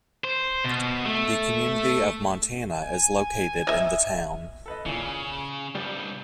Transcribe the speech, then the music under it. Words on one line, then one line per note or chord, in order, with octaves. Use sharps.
The community of Montana is located in the town.
C5
B2
A3
G#5
D#5 E5
A4 B4 D#5
A#2 C#3 E3
C2 G2 G3